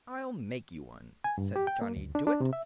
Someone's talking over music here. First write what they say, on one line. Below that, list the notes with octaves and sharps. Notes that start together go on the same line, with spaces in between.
"I'll make you one," said Johnny Dooit.
G#5
G2
G4
G5
A#3
D2
D4
D4
C3
E5